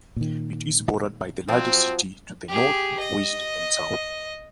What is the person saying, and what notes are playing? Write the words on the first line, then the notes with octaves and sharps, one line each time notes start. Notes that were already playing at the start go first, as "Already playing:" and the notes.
It is bordered by the larger city to the north, west, and south.
A#2 D#3
F3 F#3 C4
G4 G#4
D#5